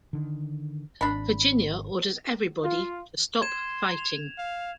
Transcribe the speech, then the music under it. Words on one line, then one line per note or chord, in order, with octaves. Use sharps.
Virginia orders everybody to stop fighting.
D3 D#3
G#1 D4 B5
F4
C6 G#6 E7
F7
F5